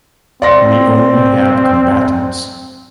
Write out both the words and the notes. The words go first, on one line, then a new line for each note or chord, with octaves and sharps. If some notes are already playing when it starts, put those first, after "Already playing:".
We only have combatants.
C4 D5 C6 A#6